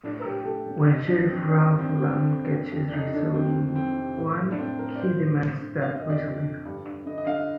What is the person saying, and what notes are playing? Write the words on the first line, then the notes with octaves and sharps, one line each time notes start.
When Sheriff Ralph Lamb catches Rizzo in one, he demands that Rizzo leave.
A2 D4
A2 G4
G4
A2 A4
A2
F2 D#4
D#3 D4
F2 C4
C3 D4
G2
C4
D4
G2
C4
D3 D4
D3
F2
F2
D4
D3 D#4
D3 D4
F2 C4
D#3
F2 C4
C3
A2
A2
D4
A2 C4
A2 A#4
D5
G2 C5
G2
D3
D3
F2 F5
D#5
F2
D5
D3
D3
G2
G2
D3 D#5
D#5
D3 F5